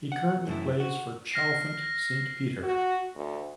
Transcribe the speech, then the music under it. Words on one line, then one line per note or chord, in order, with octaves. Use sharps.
He currently plays for Chalfont Saint Peter.
F#5
F#2 A2 E4
F#4
F6 A#6 C7
F#4
D2